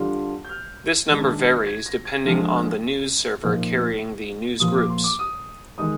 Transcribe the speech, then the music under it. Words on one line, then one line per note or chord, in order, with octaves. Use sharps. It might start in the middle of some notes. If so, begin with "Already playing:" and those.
This number varies, depending on the news server carrying the newsgroups.
Already playing: D3 G3 D4 F4
G6
F6
D#3 G#3 D4
G#6
A#6
G#6
D3 F3 G#3 D4 F6
A#2 F3 A#3 D#4
A#2 F3 A#3 F4 D#6
D6
C6
D6
D#6
D#3 G#3 D#4 D#6